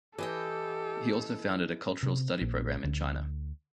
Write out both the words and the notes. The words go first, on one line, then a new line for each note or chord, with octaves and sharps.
He also founded a cultural study program in China.
E3 G4 A4 D#5 G5
C3
A#1
D2